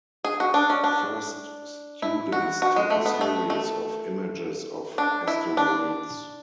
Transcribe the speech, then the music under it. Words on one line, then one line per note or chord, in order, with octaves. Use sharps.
First students take a series of images of asteroids.
G#4
F#4
D4
C#4
D4
E4
F#4
F#4
G#3
A3
B3
A3
A3
D4
E4
D4